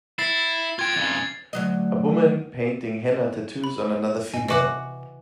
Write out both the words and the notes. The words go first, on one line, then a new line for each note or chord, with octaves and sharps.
A woman painting henna tattoos on another female.
E4 A6 C7
F4 G5 G#6
F2 C#3
D2 F#3 D#5
B5
G#2 C#4 D#5 G#5
C3 E3 F#4 D#5 F#5 D6